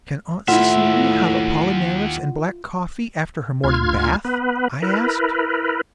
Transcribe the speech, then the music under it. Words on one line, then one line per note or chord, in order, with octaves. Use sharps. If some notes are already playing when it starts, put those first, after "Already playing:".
'Can Aunt Celia have Apollinaris and black coffee after her morning bath?' I asked.
D#2 A2 E4 F4 E5 F#5
D2 F4 F6 G#6
B3 B4
E4 A#4 B4